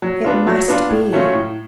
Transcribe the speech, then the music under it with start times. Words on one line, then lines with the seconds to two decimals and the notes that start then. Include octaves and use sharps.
"It must be."
0.02 F#3
0.24 B3 D4 F4
0.47 F#3
0.68 B3 D4 F4
0.89 A2
1.13 F#3 A3 C#4 F4
1.33 A2